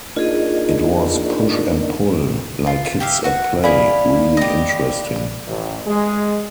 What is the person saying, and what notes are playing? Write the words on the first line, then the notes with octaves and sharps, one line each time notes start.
It was push-and-pull, like kids at play, really interesting.
A#3 D4 D#4 F4 G#4 D#5
F4
G4 E5 F5
F#4 F#5
E4 G#4 D5 F5 B5
G4 D#5
A1
G#3